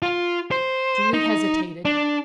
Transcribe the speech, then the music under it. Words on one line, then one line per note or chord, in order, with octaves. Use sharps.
Julie hesitated.
F4
C5
D#4
D4